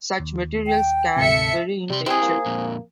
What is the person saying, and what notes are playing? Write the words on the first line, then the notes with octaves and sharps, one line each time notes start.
Such materials can vary in texture.
D#2
G5
D2 G#2 C3 A4 E5 C#7
C3 G3 C6
C3 C4 E4 G4 G#4
A#3
F2 A#2